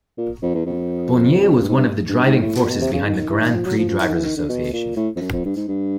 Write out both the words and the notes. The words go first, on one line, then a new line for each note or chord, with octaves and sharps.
Bonnier was one of the driving forces behind the Grand Prix Drivers' Association.
A#2
F2
E2
F2
G2
G#2
G2
G2
G#2
A2
A#2
B2
C3
C#3
D#3
D#3
E3
D#3
F3
F#3
F3
F3
E3
D#3
E3
D#3
D3
B2
A#2
A2
F2
F#2
F2
G2
G#2
G2